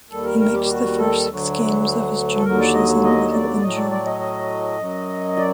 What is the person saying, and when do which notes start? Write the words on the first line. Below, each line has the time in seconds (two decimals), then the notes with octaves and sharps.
He missed the first six games of his junior season with an injury.
0.10 D#2 D#3 G3 A4
0.25 A#4
0.40 A#4
0.54 G4
0.65 G4
0.69 F#4
0.98 A4
1.27 D2 D3 F#3
2.36 A4
2.44 D#2 D3 F#3 A#4
2.59 D5
2.74 D#5
3.04 D#5
3.33 D5
3.62 A2 F#3 D#5
3.77 D5
3.90 D5
4.06 D#5
4.20 D#5
4.79 F#2 F#3
5.37 D5